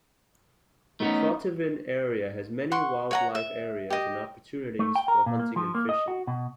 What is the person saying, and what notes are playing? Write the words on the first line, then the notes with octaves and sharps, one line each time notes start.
The Protivin area has many wildlife areas and opportunities for hunting and fishing.
A3 B3 C#4 D#4
F#5 C6 C#6
C#5 F#5 A#5
E5
G4 D#5
A3
G5
A#4
A#2
A#3
F3
A#3
D#5
F#4
B2